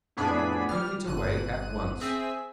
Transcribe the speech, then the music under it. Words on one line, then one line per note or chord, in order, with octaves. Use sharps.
'Take it away at once!'
F2 A2 B3 D4 G#4 B5
G3 F6
G1 F#6 D#7
C4 G#4 E5 B6